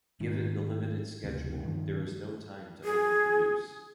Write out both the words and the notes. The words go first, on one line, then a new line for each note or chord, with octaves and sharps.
Given the limited schedule, there is no time to overproduce.
G#2 D#3
F#1 D2 C3
G2 D#3 F3
G#4